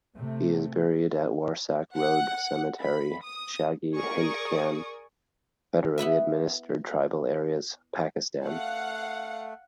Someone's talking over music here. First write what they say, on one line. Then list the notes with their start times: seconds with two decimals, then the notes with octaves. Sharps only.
He is buried at Warsak Road Cemetery, Shagi Hindkyan, Federally Administered Tribal Areas, Pakistan.
0.16 C3 A3
1.95 F#5
2.81 B5
3.24 D#6
3.95 G#4 A#4 D5 C#6 D#6
5.98 B3 E4 B4 E5
8.45 A3 F5 F#5